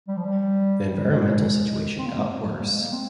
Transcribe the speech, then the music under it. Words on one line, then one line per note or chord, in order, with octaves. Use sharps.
The environmental situation got worse.
G3
F3
G3
G3
G#3
C4
A#3
G#3
A#3
G3
G#3
A#3
C4